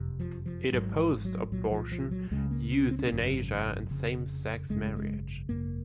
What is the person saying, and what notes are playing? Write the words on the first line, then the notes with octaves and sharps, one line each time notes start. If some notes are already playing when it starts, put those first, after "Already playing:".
It opposed abortion, euthanasia and same-sex marriage.
Already playing: F#1 F2 C3
F3
F3
G#1 G#2 F#3
F3
F#3
C2 A#2 F#3
F3
F3
F#3
C#2 C#3 G#3
A#3
C4
C4
C#4
C4
G#1 F#2 C#3
F1 F2 C#3
G#1 F#2 C#3 G#3
G#3
G#1 F#2 C#3 A#3